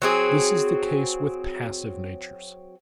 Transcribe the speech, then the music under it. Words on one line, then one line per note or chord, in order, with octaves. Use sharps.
This is the case with passive natures.
F#3 C4 G#4